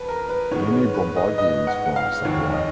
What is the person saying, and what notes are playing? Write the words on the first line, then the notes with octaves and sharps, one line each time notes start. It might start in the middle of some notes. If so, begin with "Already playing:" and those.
Nini Bombardier is from Savoie.
Already playing: F2 B4
A#4
B4
G#2 D#3 G#3 B3 C#5
B4
B4
D#5
D#5
F#5
F#5
F5
F1 D#2 D#3 C#5
D#5